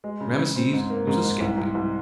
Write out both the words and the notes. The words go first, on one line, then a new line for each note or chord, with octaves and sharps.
Rameses was a sceptic.
G#3
C#3
C#3
C4
G#2
A#3
G#2
G#2
C2
C2
C2